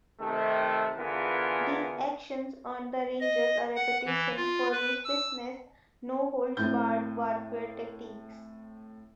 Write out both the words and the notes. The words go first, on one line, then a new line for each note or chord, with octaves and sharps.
These actions earned the Rangers a reputation for ruthlessness no holds barred warfare tactics.
C3 D#3 A3
D3 E3 B3 F4 G#4 A#4
D#5
F#5
E3
F4
B4
E6
A2 C4 G6